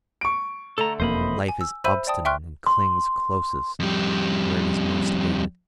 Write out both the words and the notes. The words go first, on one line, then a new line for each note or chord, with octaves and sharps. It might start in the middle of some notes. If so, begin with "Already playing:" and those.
Life is obstinate and clings closest where it is most hated.
C#6 D7
D3 A3 A4 A#5
E1 F2 A#3 C5 D#5 B5
G#5
E6
C5 E5 B5 E6 G6 D#7
D5 G5 A5 D#6
E5 G5 C6 C#6 F6 F#6
C6
F2 G3